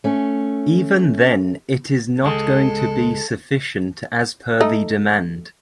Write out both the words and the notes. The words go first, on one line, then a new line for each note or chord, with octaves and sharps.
Even then it is not going to be sufficient as per the demand.
A3 C#4
C#2 G#3 A4
A3 D#4